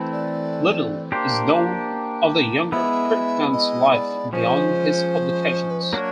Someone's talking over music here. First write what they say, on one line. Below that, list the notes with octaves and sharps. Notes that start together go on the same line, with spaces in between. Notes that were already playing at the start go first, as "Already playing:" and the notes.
Little is known of the younger Kirkman's life beyond his publications.
Already playing: E3 A3 C4 E4 A4
D5
A#3 D4 G4 C5
G#3 B3 E4 E5
D#5
D5
F3 G#3 C#4 C5
B4
C5
F#3 A#3 D4 F#4 A#4 C#5